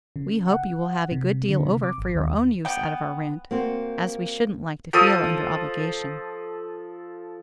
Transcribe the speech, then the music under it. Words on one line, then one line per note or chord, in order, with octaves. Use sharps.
We hope you will have a good deal over for your own use out of our rent, as we shouldn't like to feel under obligation.
C#3
F#5
C3
D3
C3
D6
G#1
D#2
B3 G5
A#3 C4 F#4 C5
F3 A4 D#6